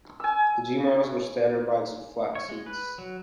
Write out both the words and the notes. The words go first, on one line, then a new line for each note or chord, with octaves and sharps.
The G models were standard bikes with flat seats.
G#5 E6
C#5
G#3
B4
F#3